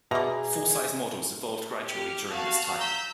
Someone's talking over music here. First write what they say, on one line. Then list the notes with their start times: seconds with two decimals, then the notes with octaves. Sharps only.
Full-size models evolved gradually during this time.
0.11 B2 G#4 D5 E5 A#5
1.86 G4 F6
2.31 F#4 F5 A5
2.78 A#5 E6 G6 B6